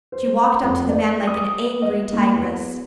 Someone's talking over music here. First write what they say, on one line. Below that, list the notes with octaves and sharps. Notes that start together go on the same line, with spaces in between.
She walked up to the man like an angry tigress.
C5
F2
D5
D#6
D#5
A#3
E2